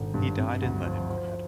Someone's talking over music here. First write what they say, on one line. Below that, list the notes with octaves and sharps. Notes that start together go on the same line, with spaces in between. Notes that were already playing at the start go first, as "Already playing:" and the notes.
He died in Leningrad.
Already playing: G#1 D3
G2
C3
D2
F3
F3